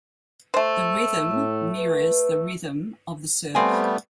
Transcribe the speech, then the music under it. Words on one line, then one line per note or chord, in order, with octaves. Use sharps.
The rhythm mirrors the rhythm of the surf.
A3 C5
A2
B4
G3 A3 B3 C4 G#5